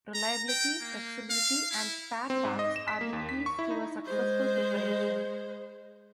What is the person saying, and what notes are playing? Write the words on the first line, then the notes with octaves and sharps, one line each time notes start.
Reliability, flexibility, and spare parts are the keys to a successful preparation.
A#5
G5
A#3
F5
E4
C4
G#2
D#5
E7
B6
A#3
D#2
B6
C#6
E4
D#4
G#3 C5